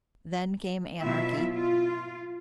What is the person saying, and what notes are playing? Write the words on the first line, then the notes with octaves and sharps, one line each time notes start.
Then came anarchy.
B2 F#3 E4 F4 E5
F4